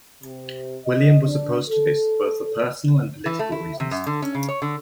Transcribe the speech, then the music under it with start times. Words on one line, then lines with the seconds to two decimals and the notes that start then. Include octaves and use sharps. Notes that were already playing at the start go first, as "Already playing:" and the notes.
William was opposed to this both for personal and political reasons.
0.23 C3
0.86 D#5
1.26 D4
1.70 A4
3.26 E3
3.39 A3
3.52 E4
3.80 C3
3.91 F#2
4.07 D3
4.22 C#4
4.35 C#3
4.49 C#5
4.62 D3